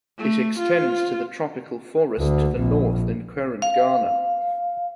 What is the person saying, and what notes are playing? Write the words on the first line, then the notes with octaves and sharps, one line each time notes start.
It extends to the tropical forest to the north in current Ghana.
A3
F4
D2
A#1
F5